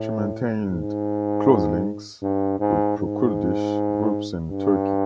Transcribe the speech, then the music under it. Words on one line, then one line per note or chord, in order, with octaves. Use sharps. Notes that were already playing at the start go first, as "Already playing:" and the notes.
She maintained close links with pro-Kurdish groups in Turkey.
Already playing: A2
G#2
G2
G#2
G#2
G2